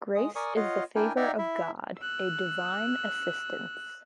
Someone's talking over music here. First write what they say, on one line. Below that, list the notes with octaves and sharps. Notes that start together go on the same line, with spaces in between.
Grace is the favor of God, a divine assistance.
G#3 D#6
A#4 D5 G#5 C#6 D#6
F4 C#5 D#5 F5 F#5
D4 E4 A#4 G5 G#5
D#4 D5 E5 F#5 G5 A#5
E4 E5
E6 F#6